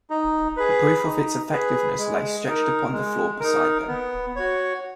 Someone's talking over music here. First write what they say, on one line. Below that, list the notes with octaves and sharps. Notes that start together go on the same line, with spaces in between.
The proof of its effectiveness lay stretched upon the floor beside them.
D#4
G#4 B4
D#4
G#4 B4
G#3
D#4 A#4
G#3
D#4 A#4
B3
F#4 C#5